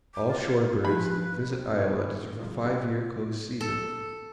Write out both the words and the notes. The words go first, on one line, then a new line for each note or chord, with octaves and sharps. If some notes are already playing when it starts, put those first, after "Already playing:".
All shore birds that visit Iowa deserve a five-year close season.
D6
F4
F3 D4 G4 B4 B5
C4 A#4
A3 B3 D4 F#4 G4
G3 F#4 G#4 B4 C#5
D#3
C#3 F#3 G#3 F4
B3 C#4 E4 G4 A4 B4
A4